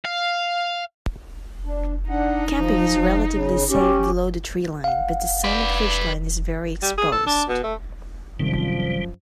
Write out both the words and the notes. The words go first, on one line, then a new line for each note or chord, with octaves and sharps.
Camping is relatively safe below the treeline but the summit ridgeline is very exposed.
F5
D4
D4 D#4 F#5
F3
C#3
C#4 G4
F5 F#5
B4 D5
G3
G#4
A4
D4
B2
A3
F#2 C3 D#3 F3 G3